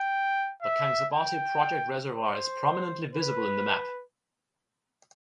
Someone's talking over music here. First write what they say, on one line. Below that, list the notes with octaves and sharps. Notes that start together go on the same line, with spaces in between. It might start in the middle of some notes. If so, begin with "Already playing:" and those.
The Kangsabati project reservoir is prominently visible in the map.
Already playing: G5
E5
G5
C5
B4